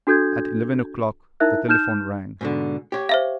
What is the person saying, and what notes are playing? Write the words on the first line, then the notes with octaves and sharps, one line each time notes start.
At eleven o'clock the telephone rang.
D4 F#4 A4 G6 G#6
D#4 E4 A#4 E5 F#6
D#4 F6 G6 E7
G#2 B2 D3
G4 C#5
C5 E5 F5